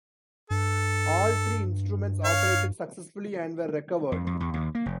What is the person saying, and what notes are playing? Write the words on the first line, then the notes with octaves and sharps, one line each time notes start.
All three instruments operated successfully and were recovered.
G2 A4
C#5 F5
F2
F2
E2
D#2
A#3
F1